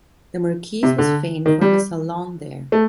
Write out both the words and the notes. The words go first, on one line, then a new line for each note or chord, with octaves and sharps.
The marquise was famed for her "salon" there.
C3
D3
D#3
G3
A3